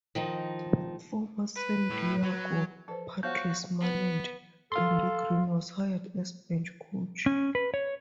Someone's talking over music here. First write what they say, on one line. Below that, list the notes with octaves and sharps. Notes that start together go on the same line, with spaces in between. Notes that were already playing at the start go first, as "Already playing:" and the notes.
Former San Diego Padres manager Andy Green was hired as bench coach.
D#3 F3 D#4
B4
A2
F#3
F3 A4 B4 C5
B3 F4 F#4 C5 C#5 F5 F#5 G6
B3
A4 F5 C6
C#4
B4
C#5